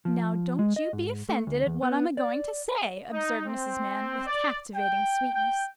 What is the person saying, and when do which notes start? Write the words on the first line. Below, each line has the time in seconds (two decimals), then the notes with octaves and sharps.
'Now don't you be offended at what I'm a going to say,' observed Mrs. Mann, with captivating sweetness.
0.05 F3
0.59 G#3
0.76 D#5
0.93 G#2
1.29 A3
1.47 D2
1.66 E2
1.83 B3
2.17 D5
3.12 D#4
3.46 C4
4.26 D5
4.75 G5
5.32 G5